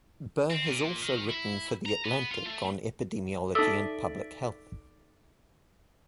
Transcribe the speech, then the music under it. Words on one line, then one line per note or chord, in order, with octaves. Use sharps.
Burr has also written for "The Atlantic" on epidemiology and public health.
C4
A#2
D#3
E4
A#5
B3
F4
A3
D#4 A4 D5 E5 E6